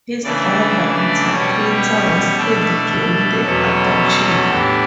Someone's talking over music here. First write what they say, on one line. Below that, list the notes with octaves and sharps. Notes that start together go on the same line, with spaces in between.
His driver-interpreter was killed during the abduction.
C#3 E3 A3 D4 D5
B2 G3 C#4 C#5
B2 A3 D4 A4
A4
E2 B2 F#3 C#4
A2 E3 B3 D4 G4